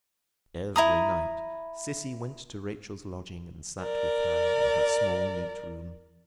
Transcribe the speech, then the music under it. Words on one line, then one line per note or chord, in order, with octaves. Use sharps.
Every night, Sissy went to Rachael’s lodging, and sat with her in her small neat room.
E4 A#5 D#6
A#4 D5